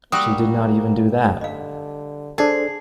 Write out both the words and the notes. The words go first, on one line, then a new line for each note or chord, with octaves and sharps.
She did not even do that!
G3 A#3 F#4 D#6 E6
D3 D#5 F5
D4 G#4 A4 C5